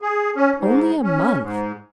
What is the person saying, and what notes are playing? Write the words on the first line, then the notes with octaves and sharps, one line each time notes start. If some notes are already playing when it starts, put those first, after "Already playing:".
Only a month!
G#4
C#4
G#2
C#4
G#2